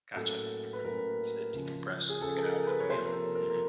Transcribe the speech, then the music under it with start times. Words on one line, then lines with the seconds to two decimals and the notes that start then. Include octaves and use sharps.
Gotcha, mhm. So, decompress, check it out, have a meal. Mhm.
0.16 A2 F#3 A#3 C#4 A4
0.73 B4
0.84 A2 F#3 A#3 C#4 A#4
1.53 C#2 C#3 F3
2.09 G#4
2.21 C#2 C#3 F3 A4
2.37 A4
2.44 A#4
2.67 B4
2.80 C#5
2.89 C3 F3 A#3 C5
3.06 A#4
3.12 A4
3.35 A#4
3.50 A#4